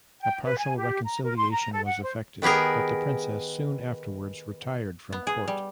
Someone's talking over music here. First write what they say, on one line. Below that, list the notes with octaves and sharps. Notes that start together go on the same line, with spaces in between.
A partial reconciliation was effected, but the princess soon afterwards retired from court.
G5
B4
G#5
G4
A#5
A#4
C6
A#5
A4
F#5
C5
D#3 B3 G4 G#4 A#4
B3
G#4
G3